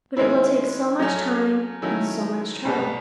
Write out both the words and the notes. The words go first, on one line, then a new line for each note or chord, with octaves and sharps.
But it will take so much time and so much trouble.
D#3 G#3 C#4 E4
F#3 A3 C#4
D#3 F#3 A3 C#4 E4
C2 B2 G3 B3